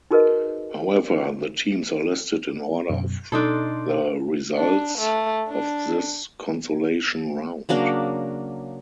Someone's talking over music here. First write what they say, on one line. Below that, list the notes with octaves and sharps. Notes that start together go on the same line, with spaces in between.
However the teams are listed in order of the results of this consolation round.
D#4 F#4 G#4 A#4 B4 D#5
F#2 B2
B2 D4 D#4 A4 C6
D4
A3
D4
C#3 F#3 A#3 D4